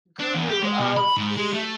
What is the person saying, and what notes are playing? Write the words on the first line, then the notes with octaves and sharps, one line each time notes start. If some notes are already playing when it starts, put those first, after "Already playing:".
guru of the
D4
E2
G4
G#3
B2
B5
G#2
G#3
A3